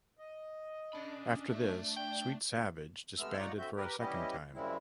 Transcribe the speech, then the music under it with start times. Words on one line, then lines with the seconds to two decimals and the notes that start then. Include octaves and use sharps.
After this, Sweet Savage disbanded for a second time.
0.19 D#5
0.93 C#4 D4 B5
1.52 A3 E5
1.96 G5
3.18 C3 G#3 A3 B3 E6 F6
3.38 D#4 F4 C#5 D5 F#5 A#5
3.58 D3 C4 F#4 E5 G6
3.77 G4 A#4 B4
4.00 G3 B3 C#4 E4 G4 D#5
4.54 F#2 C#3 G3 G#3 C4 E4